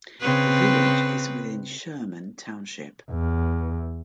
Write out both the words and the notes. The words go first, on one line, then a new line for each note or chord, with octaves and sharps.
The village is within Sherman Township.
C#3 C4 B4
E2